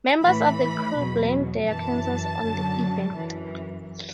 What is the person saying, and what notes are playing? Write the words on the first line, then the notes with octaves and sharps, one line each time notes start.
Members of the crew blamed their cancers on the event.
A2 E3 B5
E2 B2 F#3
F#2 E3 A5
F#2 D3 F#3
F#2 E3